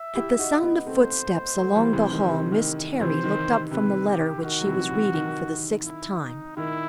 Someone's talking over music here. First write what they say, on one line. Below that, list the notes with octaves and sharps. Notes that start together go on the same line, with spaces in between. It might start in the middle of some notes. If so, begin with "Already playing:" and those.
At the sound of footsteps along the hall Miss Terry looked up from the letter which she was reading for the sixth time.
Already playing: E5
E4 G4
D#4 F#4
B3 D#4
A3 C4 C5
F#3 A3
E3 G3
C3 E3
D#3
C3
D#3
C3 E3 C5
D#3
C3 B4
G4
D#3 F#4
F#3
C3 E3
C3 E3
D#3
E4
D#4
D#3 E4